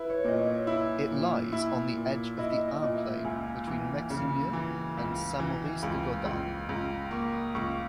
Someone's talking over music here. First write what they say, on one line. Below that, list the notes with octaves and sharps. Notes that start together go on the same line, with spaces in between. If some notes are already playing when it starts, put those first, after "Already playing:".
It lies on the edge of the Ain plain between Meximieux and Saint-Maurice-de-Gourdans.
Already playing: E4 B4
C#5
A#2 D#5
C#5
E4
A#2
E4
A#2
E4 D#5
D#5
A#2
E5
C#2 G#5
E3
C#3
E3
C#2
E3
C#2
C#2
C#2 A#5
B5
A#3 C#6
D#6
C#2 C#6